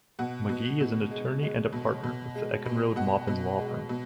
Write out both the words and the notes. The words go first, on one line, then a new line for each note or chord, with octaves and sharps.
Magee is an attorney and a partner with the Eckenrode-Maupin Law Firm.
B2 F#5
B2
B2
G#3
G#3
B2
B2
G#3
B2
B2 F#5
B2
G#3
B2